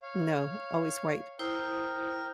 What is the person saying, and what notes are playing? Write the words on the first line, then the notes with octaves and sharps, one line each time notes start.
No, always white.
C#5 F5
E4 A#4 C5 G5 D#6